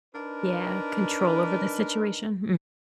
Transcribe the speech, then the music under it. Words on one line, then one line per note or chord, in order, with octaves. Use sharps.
yeah, control over the situation,
D4 D#4 A#4 B4